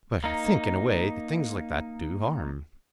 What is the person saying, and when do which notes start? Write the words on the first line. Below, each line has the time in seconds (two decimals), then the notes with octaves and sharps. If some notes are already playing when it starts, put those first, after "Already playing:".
But I think, in a way, things like that do harm.
0.24 A#3 D#4